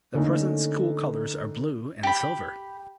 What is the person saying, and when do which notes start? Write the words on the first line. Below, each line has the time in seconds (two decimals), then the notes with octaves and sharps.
The present school colors are blue and silver.
0.14 D3 A3 A#3 C#4 D#4 A4
2.03 G4 B5